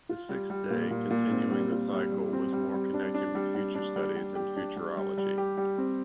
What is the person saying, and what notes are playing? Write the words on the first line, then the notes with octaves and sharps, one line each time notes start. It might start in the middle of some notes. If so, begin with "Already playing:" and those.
The sixth day, continuing the cycle, was more connected with future studies and futurology.
F4
G3
G3
A#2
A#2
A#2
C4
G3
A#2
G3
G3
C4
G3
G3
D4
D4
G3
G3
D4
G3
G3
G4
D4
G3
G3
G3
G4
G3
C4